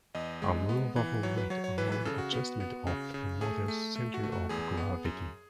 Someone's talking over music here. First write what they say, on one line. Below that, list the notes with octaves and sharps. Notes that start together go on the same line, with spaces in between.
A movable weight allowed adjustment of the model's centre of gravity.
E2 D#5
G#3
B3
E3
F#3 C#5
B4
F#3 C#5
C#5
E3 B4
B4
C#3 A4
F#4
B3
B3
C#3
C#3
A3 G#4
A3
A3
F#4
A3
F#4
E2 G#4
B3
F#2